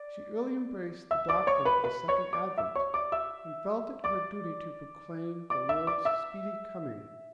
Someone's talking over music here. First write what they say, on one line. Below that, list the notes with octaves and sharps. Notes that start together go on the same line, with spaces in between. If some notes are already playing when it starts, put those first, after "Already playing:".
She early embraced the doctrine of the Second Advent, and felt it her duty to proclaim the Lord's speedy coming.
Already playing: D5
E5 E6
D5 D6
C#5 C#6
B4 B5
B4 B5
C#5 C#6
D5 D6
E5 E6
C#5 C#6
D5 D6
E5 E6
D5 D6
D5 D6
E5 E6
D5 D6
E5 E6